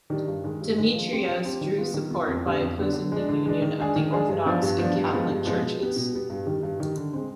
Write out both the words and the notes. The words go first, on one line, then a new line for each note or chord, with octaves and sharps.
Demetrios drew support by opposing the union of the Orthodox and Catholic churches.
D#3 G3 D4
G2
D#3 G#3
G2
D#3 G#3
F3
C4 G4
F3
C4 G4
D#3
B3 F4
D#3
B3 F4
F2
D3 G3 B3 D4
F2
D3 G3 B3 D4
D3
G#3 D4
D3
G#3 D4
D#3
G#3 D4 G#4
D#3
G#3 D4 G#4
G2
F3 B3 D4
G2
F3 B3 D4
G2
F3 G#3 B3
G2
F3 G#3 B3
B2
G3 B3
B2
G3 B3
G2
D#3 G3
G2
D#3 G3
D3
G#3 C4